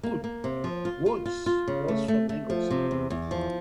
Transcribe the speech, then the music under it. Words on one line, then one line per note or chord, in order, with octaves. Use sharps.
Woods was from Anglesea.
A#3
A#3
C3
F3
F4
F4
F4
F4
C#3
A3
A3
A3
F3
C3
E2
E2
F3